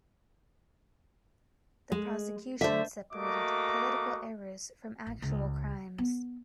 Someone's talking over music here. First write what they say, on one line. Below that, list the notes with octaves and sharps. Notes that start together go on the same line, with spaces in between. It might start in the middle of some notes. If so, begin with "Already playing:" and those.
The prosecution separated political errors from actual crimes.
G#3
D3 A3 C5 E5
A3 A#3 F#4 D#5 D6
A1
C#2
B3